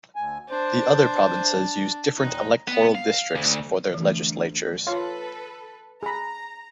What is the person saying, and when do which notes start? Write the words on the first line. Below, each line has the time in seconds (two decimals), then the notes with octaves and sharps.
The other provinces use different electoral districts for their legislatures.
0.16 D2 G#5
0.50 D4 C5
2.16 D#2 A#2 D#4 F#6
2.68 B3
2.95 F5
3.35 D2
3.94 D2 E3
4.87 F4 A4 B4 C#5 F5 C6
6.03 G#4 A#5 B5